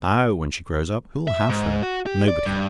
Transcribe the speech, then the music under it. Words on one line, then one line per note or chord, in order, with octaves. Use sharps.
Now, when she grows up, who'll have her? Nobody.
E5
G#2
F#4
G4
D5
G2